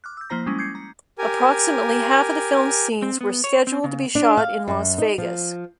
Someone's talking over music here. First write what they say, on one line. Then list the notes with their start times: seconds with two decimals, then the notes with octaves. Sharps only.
Approximately half of the film's scenes were scheduled to be shot in Las Vegas.
0.04 D6 F6 F#6
0.17 E6 G6
0.30 F3 A#3 E4 C5 A#5 A#6
0.46 G3 G#3 C#4 E4
0.58 D6 G6 G#6 C7 C#7
0.75 A#5
1.19 G4 A#4 G#5
3.02 C4
3.21 B3
3.44 C#5
3.67 C4
3.84 C#3
4.15 D4
4.37 F5
4.68 F#2
4.98 D#4
5.18 F3